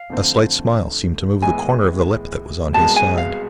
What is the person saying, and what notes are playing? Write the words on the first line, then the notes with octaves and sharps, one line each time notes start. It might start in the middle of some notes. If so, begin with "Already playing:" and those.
A slight smile seemed to move the corner of the lip that was on his side.
Already playing: F5
F2 D3 A3 C4
A2 E3 G#3 B3 E4 G#5
C2 B2 G#3 B3 A5
G#5
F5